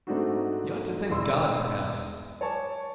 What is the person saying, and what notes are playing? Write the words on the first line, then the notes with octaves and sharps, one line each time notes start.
You ought to thank God, perhaps.
G#2 A3 C4 D4 D#4 F#4
E1 E4 C6 E6
C#5 D5 G#5 A5 C#6